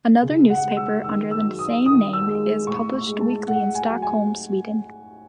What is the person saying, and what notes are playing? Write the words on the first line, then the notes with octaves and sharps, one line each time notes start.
Another newspaper under the same name is published weekly in Stockholm, Sweden.
C#3
F#5
G#3
E6
D#3 E6
E6
F#3
D#6
D#3 D#6
E6
G#3
A2 C#6
C#6
G#3
A5
A2 F#5
G#5
F#3
G#5